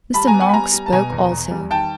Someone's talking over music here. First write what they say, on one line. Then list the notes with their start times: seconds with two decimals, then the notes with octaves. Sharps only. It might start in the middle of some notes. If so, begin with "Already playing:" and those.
Mr. Monk spoke also.
0.14 G3 A5 B5
0.27 G#5 A#5
0.34 B3
0.40 F#5 G#5
0.49 B5
0.54 G3 G#5 A#5
0.73 G3
0.86 A5
0.92 B2 G#5 A#5
1.12 E2
1.31 E2
1.51 G3
1.70 D#3 G5 A5